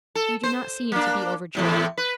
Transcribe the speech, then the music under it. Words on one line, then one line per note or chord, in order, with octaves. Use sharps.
'You do not seem to be overjoyed.'
A4
C5
A#3 D4
E2 A2 C3
B4